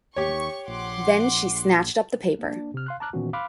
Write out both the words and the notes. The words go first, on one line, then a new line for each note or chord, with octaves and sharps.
Then she snatched up the paper.
D#2 G4 C#5 C#6
A#1 F#5 C6 D6
A#3 D4
C3 F6
F5 C6 F#6
A5 A#5 D6 F6 F#6
A#2 D#3 E3 B3 C#4 F#4
F5 B5 C6 D6 F6 F#6